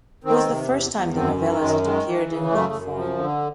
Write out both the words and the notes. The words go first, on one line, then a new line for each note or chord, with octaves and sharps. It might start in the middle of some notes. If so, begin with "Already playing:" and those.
It was the first time the novellas had appeared in book form.
D#3 C4
C3
E2
E2
F#2 C4
D#3
F#2 G#3
D#3 G#3
E3
C#3
F#2 A3
F#2
F3
D3